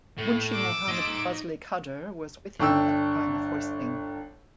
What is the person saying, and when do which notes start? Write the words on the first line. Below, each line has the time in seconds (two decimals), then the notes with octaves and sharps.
Munshi Mohammad Fazle Kader was with him at the time of hoisting.
0.18 A2
0.54 D6 E6
0.88 D#4 C6
2.60 G1 D4 G5 E6